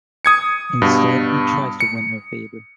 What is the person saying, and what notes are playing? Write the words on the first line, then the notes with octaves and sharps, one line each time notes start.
Instead he tries to win her favour.
D#6 G#6 C#7
G2 B2
C#7